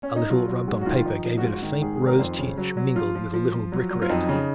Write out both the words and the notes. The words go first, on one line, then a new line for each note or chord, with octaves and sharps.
A little rubbed on paper gave it a faint rose tinge mingled with a little brick-red.
C#4
D#4
F#3 F4
F#3
G#2
F#4
D#3 F4
F3 D#4
F3
F#4
G#2 F4
F#4
D#3
G#2 G#4
G#4
D#3
A#4
F2 C5
C#3
F#3
F#3
F3 F4
F3
F3
F3
F#3
F#3
F4
F2 D#4
C#3